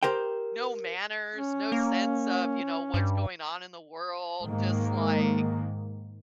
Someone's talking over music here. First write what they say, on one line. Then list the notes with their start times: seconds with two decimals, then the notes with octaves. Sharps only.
no manners, no sense of, you know, what's going on in the world, just, like
0.03 G4 A#4 C5 G5
1.36 C#4
1.72 A#3
2.94 G2
4.42 G#2 D#3 A#3